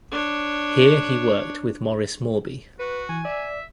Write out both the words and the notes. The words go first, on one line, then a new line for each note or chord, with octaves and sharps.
Here he worked with Maurice Mawby.
D4 C#5
F#4 B4
E3 G#5
D5 E5